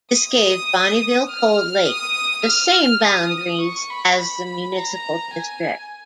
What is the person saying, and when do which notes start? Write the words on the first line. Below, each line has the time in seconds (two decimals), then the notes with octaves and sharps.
This gave Bonnyville-Cold Lake the same boundaries as the Municipal District.
0.15 D#6
1.30 F6
1.88 D#6
2.46 F6
3.03 D#6
3.61 C#6
3.90 B5
4.18 B5
4.76 A#5
5.34 G#5